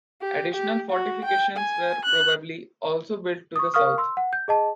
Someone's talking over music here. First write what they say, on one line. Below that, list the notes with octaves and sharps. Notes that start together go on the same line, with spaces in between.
Additional fortifications were probably also built to the south.
G4
G4
F#4
G5
G#5
F#6
C#6 D#6
A#4 F5 C#6 D#6 F6
C6 E6
F#5
G6
G#4 D#5 A5